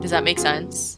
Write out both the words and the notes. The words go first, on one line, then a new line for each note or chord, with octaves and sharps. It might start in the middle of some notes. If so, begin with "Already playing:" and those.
Does that make sense?
Already playing: F2 C#3 F#3 B3
F4 G#4
F2 C#3 F#3 B3 F4 G#4